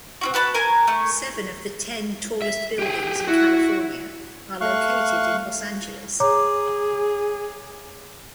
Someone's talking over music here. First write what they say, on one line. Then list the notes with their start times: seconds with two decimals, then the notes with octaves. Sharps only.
Seven of the ten tallest buildings in California are located in Los Angeles.
0.21 C4 F4 F#4
0.34 F#4 B4 A5 B5
0.54 A#4 G#5
0.88 A3
2.42 E5
2.79 G4 G#4
3.27 E4 F#4
4.61 A3 F5 C#6 F#6
6.20 G#4 C#5 A#5 D6